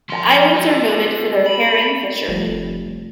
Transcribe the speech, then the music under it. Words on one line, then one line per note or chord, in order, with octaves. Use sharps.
The islands are noted for their herring fishery.
F3 C6
F4 B4
B5
F1 F3 G3 A3